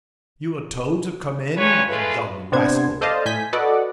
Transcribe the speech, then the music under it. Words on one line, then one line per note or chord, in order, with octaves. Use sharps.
"You are told to come in, you young rascal."
G2 F3 C#4 B4 C#5
C#3 G#3 A3 F4 B4
C3 B3 D4 C5 G#6
A4 C5 D5 D#5 F5 A5
A2 G#5 G6 B6
F#4 A4 B4 D5 D#5 F#5